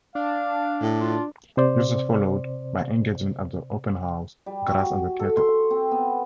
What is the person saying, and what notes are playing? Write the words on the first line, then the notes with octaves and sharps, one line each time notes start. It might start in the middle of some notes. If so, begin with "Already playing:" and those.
This was followed by engagements at the Opernhaus Graz and the Theater Augsburg.
D4 F5
A2
F4
C3 C5 D5
G3
F#4
A4
C6
C4
B3